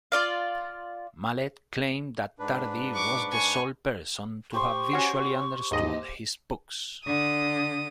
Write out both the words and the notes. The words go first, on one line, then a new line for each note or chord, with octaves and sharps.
Malet claimed that Tardi was the sole person to have visually understood his books.
F4 D5 F5
G#2 D4 B4
C#6 D6
G#5 C#6
G4 C5 C6 C#6
C#4 F#4 C7
D#2 G#2 D#5
D3 D#6